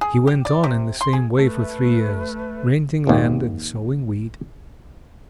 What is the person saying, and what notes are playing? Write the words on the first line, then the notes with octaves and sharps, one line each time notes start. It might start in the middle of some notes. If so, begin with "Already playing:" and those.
He went on in the same way for three years; renting land and sowing wheat.
G#4
G4
D5
C3
C6
G#4
A3 B4
G#1 D#2